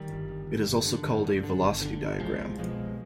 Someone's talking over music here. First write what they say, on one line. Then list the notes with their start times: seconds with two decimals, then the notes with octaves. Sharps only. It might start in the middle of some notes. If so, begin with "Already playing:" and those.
It is also called a velocity diagram.
Already playing: D#3 G3
0.09 G1
0.28 G1
0.47 G1
0.66 G2
0.85 D3
1.05 G2
1.24 G2
1.43 D3
1.63 G1
1.82 D3
2.01 G1
2.20 C2 F3 G#3
2.40 C2
2.59 B2 F3 G#3
2.78 C2